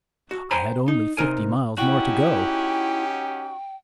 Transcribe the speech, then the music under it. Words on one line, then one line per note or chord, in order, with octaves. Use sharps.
I had only fifty miles more to go.
F#4
C5 G5 G#5 A#5 B5
D#4
C3 D#4 A#4 G#5
C#4 D#4 E4 F#4 G4 G5